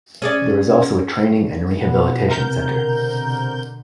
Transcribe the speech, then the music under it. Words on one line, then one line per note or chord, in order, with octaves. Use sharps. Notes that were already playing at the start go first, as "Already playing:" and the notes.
There is also a training and rehabilitation center.
C#4 G#4 D5
B2 B3
C3 A#4 G6
B2 D3